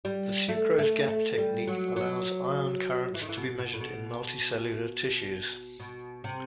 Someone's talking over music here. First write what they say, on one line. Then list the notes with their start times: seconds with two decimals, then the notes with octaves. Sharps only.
The sucrose gap technique allows ion currents to be measured in multicellular tissues.
0.05 G3
0.49 A3
0.79 A3
1.08 A3
1.38 G3
1.67 F#3
1.96 F#3
3.14 E3
3.22 D#3
3.29 E3
3.37 B2
3.59 B2
3.73 A2
3.81 B2
5.80 B2
6.24 C3